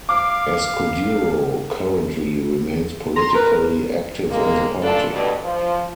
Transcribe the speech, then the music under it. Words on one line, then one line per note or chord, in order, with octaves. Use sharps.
Escudero currently remains politically active in the party.
F5 D6
A#5 C6
A#4 B4
C3 G#3 A#3
E3 A3 A#3 D4 F4 A4
D2 G2 B2
F3